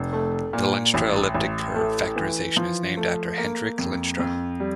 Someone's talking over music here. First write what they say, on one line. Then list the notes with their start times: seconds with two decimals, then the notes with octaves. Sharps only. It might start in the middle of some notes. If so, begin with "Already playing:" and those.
The Lenstra elliptic curve factorization is named after Hendrik Lenstra.
Already playing: F1
0.13 A3
0.53 A#2
0.94 A1
1.35 A1
1.75 A3
2.16 E3
2.57 F3
2.97 A3
3.38 A#3
3.79 F2
4.19 F2
4.60 G3